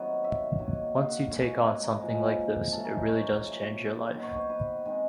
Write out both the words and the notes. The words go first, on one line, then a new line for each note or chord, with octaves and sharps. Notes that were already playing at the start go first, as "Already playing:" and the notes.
Once you take on something like this, it really does change your life.
Already playing: C3 D#3 F#3 B3
E5
D#3 F#3 A#3
F5
F#5
F5
D5
B2 G#3 C4 C#5
B4
B4
A#4
A#2 F3 G#3
E3 G#3 C#4 A4
A#4
C5
C#5
C5
A#4
A#2 F#3 A3 C#5
D#3 F#3 B3
C#5
C5
B4
D#3 G#3 C4